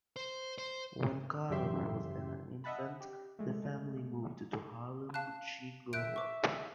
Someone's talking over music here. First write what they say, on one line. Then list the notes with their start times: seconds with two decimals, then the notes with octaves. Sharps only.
When Carroll was an infant, the family moved to Harlem, where she grew up.
0.16 C5
0.58 C5
1.50 F#2 C#3 E3 G4 E5 C6
2.64 D#5 E5 F#5 A5 B5
3.01 G4
3.39 G#3 A3
5.14 F5 A5 F#6
5.93 E5 F#6 G6 D7
6.16 C#6 D6